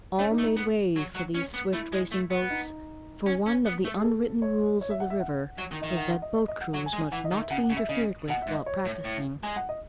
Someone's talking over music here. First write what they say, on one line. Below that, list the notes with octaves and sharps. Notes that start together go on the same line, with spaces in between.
All made way for these swift racing boats, for one of the unwritten rules of the river is that boat crews must not be interfered with while practising.
A3 C#4
D#4
A3
D#4
B3
F#3
F#3
C#4
B3
A3 E4
G#3
A3
B3
D#4
C#4
C#4
B3
A3
G#4
A4
C#5
C#5
E5
F#5
E5
F#5
F#3
D#3
D#3 D#5
E5
F#5
F#5
D#5
D#5
D#5
F#5
F#3 F#5
G#5
G#3
G#5
E3 F#5
D#5
D#3
E5
C#3 F#5
F#5
C#3
E5
C#3 D#5
B2 F#5
G#2 E5
D#5
C#5
A2
A2
G#3 G#5
F#5
D#5